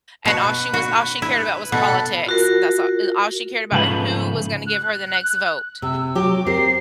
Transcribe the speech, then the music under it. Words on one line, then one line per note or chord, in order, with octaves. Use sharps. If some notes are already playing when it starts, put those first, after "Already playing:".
and all she was all she cared about was politics, that's a a all she cared about who was gonna give her the next vote,
B2 F#4 B4
F#4
E4
B2 A4 F#5 B5
F4 F#4 A#4
G#2 C#3 F3 A3 B4 B5
F#6
C3 E6
F#3 G4 D6
C4 G4 A#4 C7